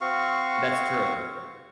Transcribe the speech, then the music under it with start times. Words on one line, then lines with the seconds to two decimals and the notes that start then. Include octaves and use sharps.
That's true.
0.01 C4 F#4 F5 C#6